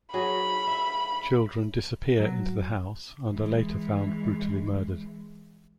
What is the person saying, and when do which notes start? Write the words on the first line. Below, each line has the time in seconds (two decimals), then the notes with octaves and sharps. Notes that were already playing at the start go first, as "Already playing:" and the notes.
Children disappear into the house and are later found brutally murdered.
0.14 F#3 F#4 G#4 B5
0.67 E5
2.20 F#3
3.31 E3 G#3